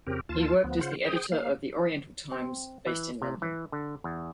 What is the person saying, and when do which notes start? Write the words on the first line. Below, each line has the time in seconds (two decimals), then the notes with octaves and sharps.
He worked as the editor of The Oriental Times based in London.
0.07 F2 C#3 C4 G4 A#4
0.29 D#2 F4 A5
0.64 D2 F3 B3
0.81 C#3 F4 C5 F#5
1.04 G#4 C5 G5 D#6
1.32 A#3 F5
2.31 C4
2.86 E3
3.22 C3
3.42 E3
3.72 D3
4.04 E2